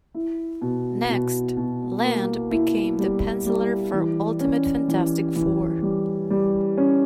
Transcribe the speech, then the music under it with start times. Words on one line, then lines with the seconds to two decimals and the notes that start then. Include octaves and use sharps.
Next, Land became the penciler for "Ultimate Fantastic Four".
0.14 E4
0.62 B2
1.10 B2
1.57 B2
2.04 A#3
2.51 E4
2.99 G3
3.46 G3
3.93 E3
4.40 C#4
4.88 E3
5.36 E3
5.83 G3
6.30 G3
6.77 C#4